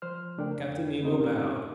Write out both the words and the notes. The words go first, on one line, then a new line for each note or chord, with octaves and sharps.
Captain Nemo bowed.
F3 C5 F6
C#3 A3 D4 A4 A#4 G5
F2
A#3 C4 C#4 D#4 G4 C5